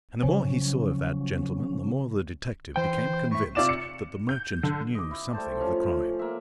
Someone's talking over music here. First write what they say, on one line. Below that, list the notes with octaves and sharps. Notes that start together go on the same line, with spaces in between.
And the more he saw of that gentleman the more the detective became convinced that the merchant knew something of the crime.
C#3 F3 F#3 C#4
E3 C5 G5
A2 E5 C#6
C3 F4 D5 D6 E7
C#7
G6
D3
D#5 D6
E4
G3 A3 C5 A5
F3 C#4
A#3 E5